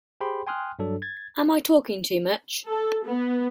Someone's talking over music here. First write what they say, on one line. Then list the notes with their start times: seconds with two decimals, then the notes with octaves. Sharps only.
Am I talking too much?
0.21 G4 G#4 C5 G5 B5 C6
0.47 G5 G#5 C6 D#6 F6 F#6
0.79 G2 F#3 D4 A4
1.02 G#6 A6
2.67 A4
3.06 B3